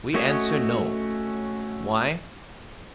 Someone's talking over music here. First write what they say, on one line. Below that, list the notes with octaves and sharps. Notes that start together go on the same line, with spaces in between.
We answer No. Why?
A3 C#4 F#4 C#5 D#5